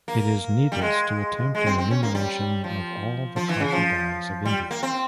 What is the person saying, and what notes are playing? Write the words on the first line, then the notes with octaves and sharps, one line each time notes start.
It is needless to attempt an enumeration of all the khaki dyes of India.
A#3
G3
G#3
G#3
C4
C4
C#4
A#3
G3
F3
F3
E3
C#3
F3
G3
A#3
C4